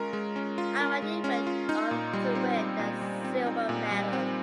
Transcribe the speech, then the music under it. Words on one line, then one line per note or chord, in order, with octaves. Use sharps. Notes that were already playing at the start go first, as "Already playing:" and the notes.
Ahmadi went on to win the silver medal.
Already playing: G#3 C#4 F4 A#4
G#3
C#4
F4
A#4
G#3
C#4
F4
D#4
A#2
G3
C4
D#4
A#2
G3
C4
D#4
A#2
G3
C4